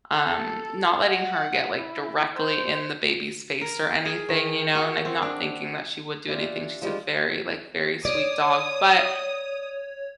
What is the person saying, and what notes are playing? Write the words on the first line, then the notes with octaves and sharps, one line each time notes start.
um, not letting her get, like, directly in the baby's face or anything, you know, and, like, not thinking that she would do anything, she's a very, like, very sweet dog, but, at
A4
F#5
E4
C5
A#4
G#4
D#3
F#4
C4
D4
D4 E4 F4 G4
F3 G3 G#3 F4
C#5 D5 D#6